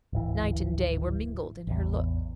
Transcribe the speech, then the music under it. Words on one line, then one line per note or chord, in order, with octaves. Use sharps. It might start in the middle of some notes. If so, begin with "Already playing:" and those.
Night and day were mingled in her look.
D1 G#1 E3
A1 E2